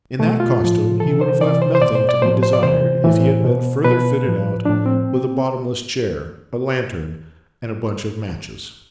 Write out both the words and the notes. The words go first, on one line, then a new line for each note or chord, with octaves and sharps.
In that costume he would have left nothing to be desired, if he had been further fitted out with a bottomless chair, a lantern, and a bunch of matches.
B2 A3
F4
A2 F3
C3 E3 A4
C5
C3 E3 D5
C5
C5
B2 D5
C5
D5
A2 F3 C5
C5
D5
C3 E3 C5
A2 E3
B2
B2 B4
A2 F3
A2 F3 D4
C4